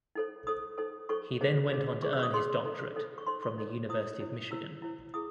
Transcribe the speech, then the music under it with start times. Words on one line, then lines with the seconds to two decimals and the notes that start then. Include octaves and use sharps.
He then went on to earn his doctorate from the University of Michigan.
0.15 D#4 A4 C5
0.47 D#4 A4 C5 D#6
0.78 D#4 A4 C5
1.09 D#4 A4 C5 C#6
1.41 D#4 G#4 C5
1.72 D#4 G#4 C5
2.02 D#4 G#4 C5 C#6
2.13 E6
2.19 C#6
2.23 D#6
2.33 D#4 G#4 C5 C6
2.64 D#4 A4 C5
2.96 D#4 A4 C5
3.18 C#6
3.27 D#4 A4 C5 C6
3.43 C#6
3.58 D#4 A4 C5
3.89 E4 C5 D#6
4.20 E4 C5
4.51 E4 C5 E6
4.82 E4 C5
5.14 E4 G#4 D#6